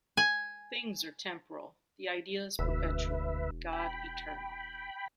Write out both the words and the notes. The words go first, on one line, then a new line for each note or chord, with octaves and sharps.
Things are temporal, the ideas perpetual, God eternal.
G#5
E1 D2 B4 E5
G5 B5